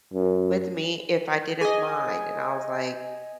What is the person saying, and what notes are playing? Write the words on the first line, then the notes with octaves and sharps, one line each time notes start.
with me if I didn't mind. And I was like,
F#2
G#4 D#5 G#5